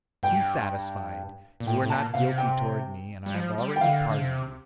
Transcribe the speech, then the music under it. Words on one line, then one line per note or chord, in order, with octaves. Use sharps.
"Be satisfied; you are not guilty toward me, and I have already pardoned you."
G2 G5
A#2
A2 G5
A2
A#2 A5
C3 F5
G5
G3
F3
G3
G5
D3 F5
D3
C3